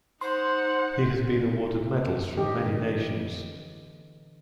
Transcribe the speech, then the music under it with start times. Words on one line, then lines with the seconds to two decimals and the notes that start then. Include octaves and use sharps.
He has been awarded medals from many nations.
0.21 D#4 C5 F#5 C6
2.37 D3 E3 G4 D#5